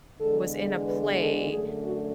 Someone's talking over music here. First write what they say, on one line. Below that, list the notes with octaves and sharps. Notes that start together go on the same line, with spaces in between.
was in a play,
E2 D3 G#3 A4
B4
A4
F#2 D3 A3 G#4
F#4